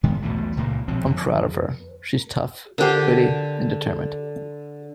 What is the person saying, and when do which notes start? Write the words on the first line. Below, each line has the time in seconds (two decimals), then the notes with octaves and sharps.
"I'm proud of her; she's tough, witty and determined".
0.03 A2 D#3 G#3 B3
0.22 B1 E2 B2 A3
0.57 C#2 A#2 C#3 A#3
0.88 B1 B2 F3 C4
1.06 F2 D3
2.78 D3 G4 A#4 C5 F#5